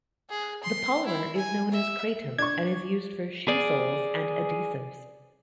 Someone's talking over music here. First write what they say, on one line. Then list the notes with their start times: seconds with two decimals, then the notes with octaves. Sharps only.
The polymer is known as Kraton and is used for shoe soles and adhesives.
0.29 G#4
0.63 C6
1.05 E4
1.37 G#5
1.72 E5
2.38 D4 C#6 G#6
3.48 G#4 D5